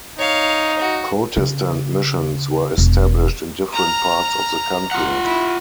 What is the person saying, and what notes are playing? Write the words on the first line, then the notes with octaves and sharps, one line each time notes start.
Protestant missions were established in different parts of the country.
D#4 C#5 F5
F#4
C#3
E1
A#5 F6
F4 F#5
E4